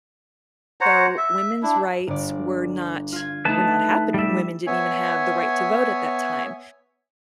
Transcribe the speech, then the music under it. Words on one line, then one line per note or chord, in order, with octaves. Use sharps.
so women's rights were not were not happening, women didn't even have the right to vote at that time.
C5 C#5 F#5 A#5
E5
D4 E4
G1 D5
F4 G#6
A3 D#4 B4 A5
G3 E5
B3 C#5 E5 G#5